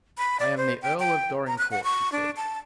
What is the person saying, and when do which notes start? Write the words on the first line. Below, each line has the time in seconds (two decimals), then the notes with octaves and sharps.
"I am the Earl of Dorincourt," he said.
0.18 B5
0.40 D5
0.57 C5
0.82 G5
1.00 G5
1.47 A#5
1.58 F#6
1.71 F#5
1.84 C#6
2.12 D4
2.36 A5